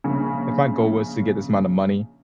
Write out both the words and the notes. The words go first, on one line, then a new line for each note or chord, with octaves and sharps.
if my goal was to get this amount of money,
A#1 C#3